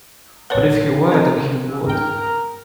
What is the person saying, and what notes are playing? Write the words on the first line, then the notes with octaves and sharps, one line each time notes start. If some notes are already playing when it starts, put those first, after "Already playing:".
But if he were, then he would.
A#1 A#4 B4 C#5 F#5
C4 D#4 A4 A#4
G#2 A#4 G5